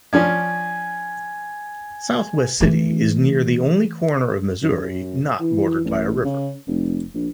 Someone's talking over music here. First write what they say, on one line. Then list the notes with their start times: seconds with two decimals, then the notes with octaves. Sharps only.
Southwest City is near the only corner of Missouri not bordered by a river.
0.13 F3 C#4 D4 G#5 G#6
2.60 E3 A3
4.62 F#2
5.40 E3
5.85 A1
6.25 C#3
6.67 F1
7.14 A#1